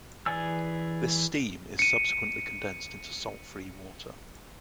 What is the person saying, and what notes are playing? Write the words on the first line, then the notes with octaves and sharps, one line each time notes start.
This steam is subsequently condensed into salt-free water.
E3 G#4 D5 G#5 E6
C#7 D#7